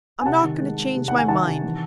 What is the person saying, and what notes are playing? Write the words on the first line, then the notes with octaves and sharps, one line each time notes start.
I'm not going to change my mind.
G#5
C3 F#5 A5
D#3
G#3
G#3
C3
D#3 F#5
G#5
D#3 F#5 A5
C3
E3